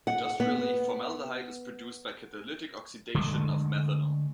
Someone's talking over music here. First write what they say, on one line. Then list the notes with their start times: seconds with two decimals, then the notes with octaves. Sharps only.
Industrially, formaldehyde is produced by catalytic oxidation of methanol.
0.07 F#5
0.40 B3
3.15 D3 G#3 A3